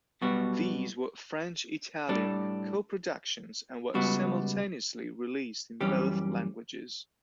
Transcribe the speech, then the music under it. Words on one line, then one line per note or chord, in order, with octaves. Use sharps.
These were French-Italian coproductions and were simultaneously released in both languages.
B1 B2 G3 B3 F#4
A2 G3 D4 A4
C#2 C#3 G3 B3 F#4
F#2 E3 G3 C#4 G4